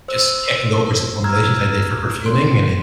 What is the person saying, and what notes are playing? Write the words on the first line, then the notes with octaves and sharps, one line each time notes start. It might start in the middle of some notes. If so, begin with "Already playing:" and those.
just checking over some formulations I did for perfuming and it
C5 E6
A#5 E6 F6 G#6
C6